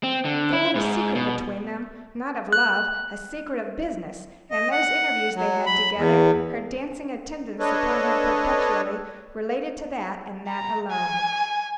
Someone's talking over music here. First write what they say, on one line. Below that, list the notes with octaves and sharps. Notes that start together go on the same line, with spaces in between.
"They had a secret between them--not of love--a secret of business; and those interviews they had together, her dancing attendance upon him perpetually, related to that, and that alone."
C4
D3
E4
G#2
B2
F#6
D#5
F#5
F#3
B5
E2
D4 A4 B4 C#5 D#5
A#5
G#5